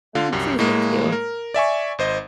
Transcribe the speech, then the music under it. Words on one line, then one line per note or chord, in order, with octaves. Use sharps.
Oh, you too, thank you.
D3 F4 F5
C2 F#2 G4
A2 G#3 A#3
A#4
D5 E5 G#5 C#6
G#1 C5 D#5